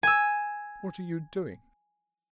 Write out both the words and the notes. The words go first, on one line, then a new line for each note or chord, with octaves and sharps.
'What are you doing?
G#5 E6